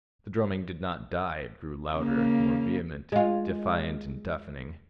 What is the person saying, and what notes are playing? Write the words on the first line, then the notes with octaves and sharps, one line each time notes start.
The drumming did not die; it grew louder, more vehement; defiant and deafening.
C#3 A#3
G#3 F4